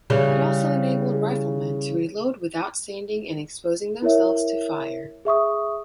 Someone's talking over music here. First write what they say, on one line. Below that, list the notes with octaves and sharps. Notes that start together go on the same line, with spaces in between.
It also enabled riflemen to reload without standing and exposing themselves to fire.
C#3 E3 G3
E4 A#4 C#5 E5
G#4 E5 C#6 D#6